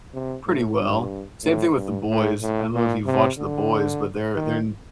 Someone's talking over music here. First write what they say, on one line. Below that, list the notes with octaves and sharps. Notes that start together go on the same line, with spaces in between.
pretty well. Same thing with The Boys. I don't know if you've watched The Boys, but their their n
C3
A2
G2
A2
G2
A2
A2
A#2
C3
D3
D#3